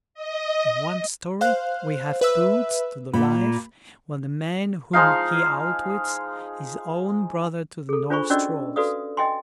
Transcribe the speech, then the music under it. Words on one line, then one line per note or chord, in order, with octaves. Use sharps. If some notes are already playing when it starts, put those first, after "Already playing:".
In one story we have 'Boots' to the life, while the man whom he outwits is own brother to the Norse Trolls.
D#5
C5 F5 F#6
B4 E5 E6
A#2 B5
F3 G#3 D#4 F5
G#4 A4
D4 F4 C5 G#5 B5 C#6
C#4 D4 F#4 D5 D#5 E6
F#4 A4 B4 D5 F5 D#6
D#5 E5 G5 G#5 C6